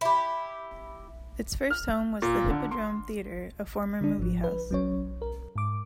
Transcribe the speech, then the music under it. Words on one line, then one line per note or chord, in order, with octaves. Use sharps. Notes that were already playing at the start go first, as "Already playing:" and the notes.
Its first home was the Hippodrome Theatre, a former movie house.
E4 G4
F6
A#2
D3
C6
D3 D4
G#1 F3
B4
F#3 C#4 C#5
A#4
G#2 D6